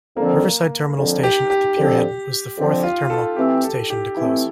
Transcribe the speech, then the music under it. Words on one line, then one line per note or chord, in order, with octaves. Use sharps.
Riverside terminal station at the Pier Head was the fourth terminal station to close.
F2 D3 F3 A#3 C4
F2 D3 F3 C4
G4
G4
F2 D3 F3 C4
F2 D3 F3 C4
F4
A4
E3 A3 C4 G4
A4
G4
E3 A3 C4 E4